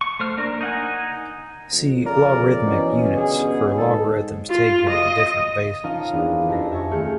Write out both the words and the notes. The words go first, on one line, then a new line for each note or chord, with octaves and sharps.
See logarithmic units for logarithms taken in different bases.
C#6
A3 C5 F6
A#3 D4 A#4
D#4 F#5 G#5
F2
C#3 A#4 D5
B2 E3 C#4
G1 G#4
G#2 A4
F4
D#5
F3 C#4 D#4 A#4 C#5 F5
E2 C4 D4
F2 F3 G4 A4 A#6 C7
E5 G#5 A5 C#6
D#1 A3 G#4 F6 G6 C#7